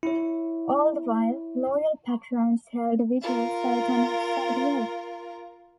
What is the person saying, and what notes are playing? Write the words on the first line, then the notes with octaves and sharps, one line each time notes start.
All the while, loyal patrons held vigils out on its sidewalks.
E4 C#5
F4 A#4